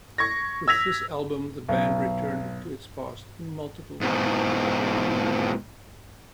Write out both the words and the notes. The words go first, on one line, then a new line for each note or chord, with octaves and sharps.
With this album, the band returned to its past in multiple ways.
C#6 G#6 A#6
E6 G#6 A#6 B6 F7
B1
G#2 B2